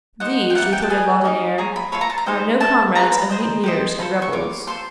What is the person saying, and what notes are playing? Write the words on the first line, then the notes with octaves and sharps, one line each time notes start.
"These," retorted Laudonniere, "are no comrades of mutineers and rebels."
D#4 G4 C5 D#5 F#5
G5
E4 G4 A#4 D5 F#5
G5
A5
G#4 B4 D#5 G#5
D#4 F#4 A#4 D#5
G#4 C#5 A#5
B5
F4 A4 C#5 B5
A#5
A5
A#5
D#4 G4 C5 D#5
E4 A4 C#5 A5
F4 G#4 B4 A#5
B5
G#4 C5 D#5 A#5
G4 C5 D#5
F4 A4 C5 B5
C#6
F4 A#4 D6
F4 A4 C5 C6